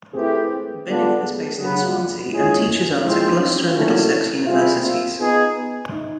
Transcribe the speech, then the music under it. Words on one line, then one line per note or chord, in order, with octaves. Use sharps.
Billingham is based in Swansea and teaches art at Gloucester and Middlesex universities.
A3 C4 E4 G4 G#4 B4
D3 G3 B3 D4 F4
G#4
C#3 F#3 B3 G#4
G4
F#4
F4
G#3 C#4 E4 F4 G#4 C#5
F3 G#3 C4 E4
D#4
C#4
C4
F#4
F4
A#2 F#3 A3 C#4 E4
G3 C4 E4 F4 G#4
F4
B3 D#4 G#4
D#4